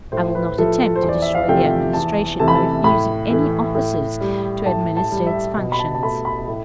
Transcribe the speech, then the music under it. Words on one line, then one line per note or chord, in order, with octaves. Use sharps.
I will not attempt to destroy the Administration by refusing any officers to administer its functions.
A2 C5
B4
F3 A3 A4
A4
C5
E2
D5
E5
F5
C3 F3 A3 G5
E2 A5
C3 E3 A3 A5
B5
A5
A2 B5
E3 A3
A2
G3
A2 A5
A5
G3
E5
B2
B5
A5
A5
A3 B5
B5
A2